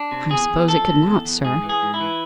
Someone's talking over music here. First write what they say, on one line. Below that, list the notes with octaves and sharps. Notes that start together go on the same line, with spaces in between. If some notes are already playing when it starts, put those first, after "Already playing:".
"I suppose it could not, sir."
Already playing: D4
C3
E2 G#4
E2
F3 A4
C3
E2
E2
G#2 G#4
E3
G#4
G#2
E4
E3